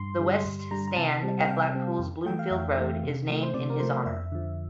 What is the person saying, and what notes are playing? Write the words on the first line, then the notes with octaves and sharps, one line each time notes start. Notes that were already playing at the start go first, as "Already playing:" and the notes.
The West Stand at Blackpool's Bloomfield Road is named in his honour.
Already playing: G2 C6
D3 G3
G2
D3 G3 A#5
A#5
C3 A5
G3 C4
F5
C3 G5
G3 C4
F2
E3 A3 G5
F5
F2 E5
E3 A3
C3
F3 A3
C5
C3 D5
A#4
F3 A3 C5
F2 E5
D3 F3